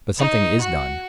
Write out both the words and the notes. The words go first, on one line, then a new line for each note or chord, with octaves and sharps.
But something is done.
D#4
F#4